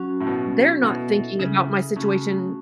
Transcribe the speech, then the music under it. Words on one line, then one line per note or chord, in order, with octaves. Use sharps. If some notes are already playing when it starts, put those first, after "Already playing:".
they're not thinking about my situation,
Already playing: F#3 C#4 F#4
A2
B2
B2 E4 A4 E5
C#3
C#3 A3 C#4 F#4